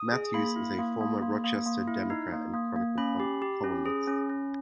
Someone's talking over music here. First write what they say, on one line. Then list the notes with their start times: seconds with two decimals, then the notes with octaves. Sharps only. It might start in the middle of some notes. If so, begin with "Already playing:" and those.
Matthews is a former "Rochester Democrat and Chronicle" columnist.
Already playing: D#6
0.12 G#4
0.34 A#3 B5
0.56 E4
0.78 A#3
1.01 A#3
1.22 A#3
1.44 A#3
1.66 A#3
1.88 E4
2.10 D#4
2.32 A#3
2.54 A#3
2.76 A#3
2.98 C#4 B5
3.20 G4
3.42 G4
3.64 C#4
3.86 G#4
4.07 C#4
4.29 C#4